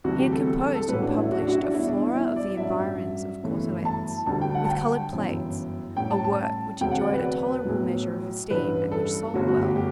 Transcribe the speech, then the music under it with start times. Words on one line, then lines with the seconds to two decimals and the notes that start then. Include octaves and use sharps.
He had composed and published a Flora of the Environs of Cauteretz, with colored plates, a work which enjoyed a tolerable measure of esteem and which sold well.
0.04 D2 C3 E3 G3 F#4
0.19 G4
0.32 A4
0.47 A4
0.60 A4
0.75 A4
0.88 A1 A2 F#3 A3 B4
1.02 D4
1.17 E4
1.32 F#4
1.42 D4
1.49 F#4
1.52 E4
1.63 D4
1.74 E2 B2 G3 E4
1.88 D4
2.02 E4
2.15 E4
2.36 D5
2.57 A1 G2 F#3 E5
3.43 G1 F#2 E3 A3
3.85 A5
4.26 D2 D3 G3 A5
4.41 G5
4.55 F#5
4.65 A5
4.69 G5
5.12 G1 F#2 E3
5.96 A1 A2 G3 G5
6.11 A5
6.24 A5
6.80 E1 D2 C3 F#3 G5
6.91 F#5
7.01 D5
7.13 B4
7.65 B1 A2 F#3
8.50 A1 G2 E3 G3 B4
8.92 A4
9.34 G1 F#2 D3 F#3 A3 F#4
9.48 F#4
9.62 G4
9.76 G4